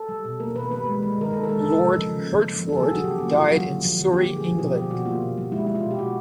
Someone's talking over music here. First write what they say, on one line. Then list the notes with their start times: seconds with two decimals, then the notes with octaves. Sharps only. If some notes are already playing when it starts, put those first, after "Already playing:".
Lord Hertford died in Surrey, England.
Already playing: A4
0.09 G3
0.25 B2
0.40 A#3 A#4
0.55 B2 B4
0.71 G3 B4
0.86 G#3
1.02 G#3
1.18 D#3 A#4
1.33 D#3 A4
1.43 A#4
1.49 G#3 A4
1.65 G#3 A4
1.79 C#3
1.95 F3
2.10 C#3
2.26 A#3
2.42 C#3
2.57 F3
2.69 A4
2.73 C#3 G#4
2.88 F#3 F#4
3.04 C#3 G4
3.18 A#3 F#4
3.32 C#3 F4
3.47 F#3 F#4
3.66 D3
3.82 F3
3.97 D3
4.13 A#3 G4
4.28 D3
4.36 G#4
4.44 F3
4.59 B2 G4
4.75 G3 G4
4.91 B2 F#4
5.05 A#3 F4
5.22 B2
5.37 G3
5.52 G#3 E4
5.67 G#3 E4
5.75 F4
5.83 B2
5.91 G4
5.99 B2 F#4